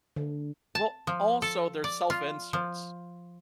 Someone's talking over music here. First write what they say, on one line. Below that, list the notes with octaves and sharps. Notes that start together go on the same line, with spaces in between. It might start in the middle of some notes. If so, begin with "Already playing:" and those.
Well, also they're self-inserts,
D3
A5
F3
A4
D5
F4
F3